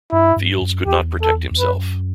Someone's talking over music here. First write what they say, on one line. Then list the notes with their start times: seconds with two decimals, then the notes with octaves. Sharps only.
Fields could not protect himself.
0.12 G2 E4
0.36 G2
0.62 F#2
0.86 E2 G4
1.22 A4
1.51 E2
1.59 F#2 B4